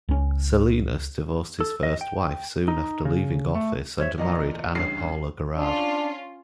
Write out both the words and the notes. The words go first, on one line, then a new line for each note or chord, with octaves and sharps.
Salinas divorced his first wife soon after leaving office and married Ana Paula Gerard.
C#2 C#4
A4
D#5
G5
D#4
C#3
A3
C5 C#5 E5
E2 A#2 D5 D#5 A#5
A1 G2 C#3 C7
C#4 D4 F4